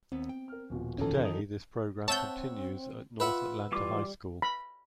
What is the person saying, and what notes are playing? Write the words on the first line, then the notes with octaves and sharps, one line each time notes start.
Today this program continues at North Atlanta High School.
D#2 B3 C4
G5
A#4 F6
D#1 B2 F3
F2 D#3 E3 C#4 A4
D#4 D#6 F7
C4 C#5 E5 F#5 A5 G6
F4 B4 E5 F#5
E3 G3 F4 D6
B5